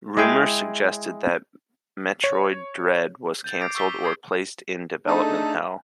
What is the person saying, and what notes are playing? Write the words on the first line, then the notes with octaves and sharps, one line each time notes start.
Rumors suggested that "Metroid Dread" was cancelled or placed in development hell.
G#3 E4 G#4 G5
C#5
G6 A6
D6 C7 D7
C#6 E6 A6 B6 G7
B6
D6 D#6 G6 G#6 C7
A3 D4 D#4 G#4 A4